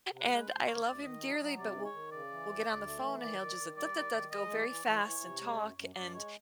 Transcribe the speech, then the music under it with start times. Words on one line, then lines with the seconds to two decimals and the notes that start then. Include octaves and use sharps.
and I love him dearly, but we'll we'll get on the phone, and he'll, just, "Da, da, da" go very fast and talk and
0.11 C3
0.20 B4
0.30 G#3
0.48 D2 C5
0.66 D2 C#5
0.85 D2 D5
1.02 D#3 D#5
1.21 F#3
1.40 F#3
1.58 C3 D5
1.76 D#3
1.85 C#5
1.94 D#3
2.12 C#3 D5
2.31 E3
2.49 D2
2.67 D2
2.86 A3
3.03 E3
3.21 D#3 D5
3.40 D#3
3.58 D#3
3.76 G3 D5
3.95 D#3
4.12 D#3
4.31 G#3 D#5
4.50 E3
4.59 D5
4.68 E3
4.85 E3 C#5
5.04 E3
5.22 C3
5.41 G#3
5.59 F#2
5.77 F#2
5.95 F#2 D5
6.13 G#3 C#5